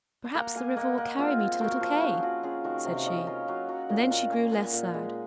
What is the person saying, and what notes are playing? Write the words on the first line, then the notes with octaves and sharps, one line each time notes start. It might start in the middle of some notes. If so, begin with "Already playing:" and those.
"Perhaps the river will carry me to little Kay," said she; and then she grew less sad.
C6
A#3 F#5 A#5
A#3 F5 G#5
A#3 D#5 F#5
A#3 D#5 F#5
C4 F4 G#4
F4
C5
C4 F#4 A#4
F3
G#4
C#4 F#4
F4 F#4
C#4 F4 G#4
D#3 F#4 A#4
C3 C5 D#5
F5
C#4 C5 D#5
F4 A#4 C#5
F#3 F5 G#5
F#3 F#5 A#5
A#2 D#5 F#5
F4 F#5 A#5
A#3 G#5 C6
A#2 F#5 A#5
A#2
G#3